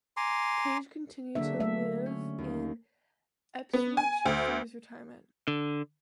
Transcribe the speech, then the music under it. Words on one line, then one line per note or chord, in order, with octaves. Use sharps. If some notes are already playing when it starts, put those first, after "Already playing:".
Page continued to live in Ipswich through his retirement.
G#5 A#5 C6 D6
D3 F#3 A#3 D4 E5
A3 E5
C#4
D#2
B3
G#5
D2
D3